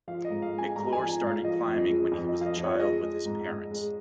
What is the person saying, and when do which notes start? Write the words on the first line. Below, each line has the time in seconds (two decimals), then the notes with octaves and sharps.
McClure started climbing when he was a child with his parents.
0.08 F3 F5
0.25 D#5
0.30 G#2
0.42 F5
0.54 G#3 G#5
0.76 G#2 A#5
0.93 G#5
0.98 F3
1.09 G#5
1.22 G#2
1.27 F5
1.44 F3 D#5
1.66 F2
1.78 D#5
1.89 G#3
2.12 F2
2.29 D#5
2.35 F3
2.41 F5
2.46 D#5
2.57 F2
2.64 C#5
2.80 G#3 D#5
3.02 G#3
3.25 G#2
3.48 G#2
3.71 G#3